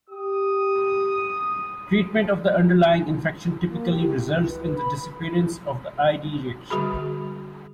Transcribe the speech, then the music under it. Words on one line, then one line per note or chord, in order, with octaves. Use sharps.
Treatment of the underlying infection typically results in the disappearance of the id reaction.
G4 D#6
A#3
G4
G#3
E4
B4
B4
B5
D3 G3 F#4 G#4 B5